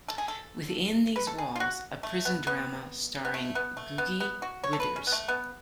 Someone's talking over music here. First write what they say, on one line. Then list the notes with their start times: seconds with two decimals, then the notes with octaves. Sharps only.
"Within These Walls", a prison drama starring Googie Withers.
0.08 A4
0.18 G#4
0.28 A4
1.16 B4
1.27 A4
1.38 G#4
1.56 F4
1.60 F#4
2.03 A3
2.25 B3
2.47 B3
3.25 B3
3.34 A3
3.55 B3
3.77 A3
3.98 B3
4.20 B3
4.42 F#4
4.64 C#5
4.73 A4
4.80 B4
4.96 C#4
5.07 B3
5.12 A3
5.28 B3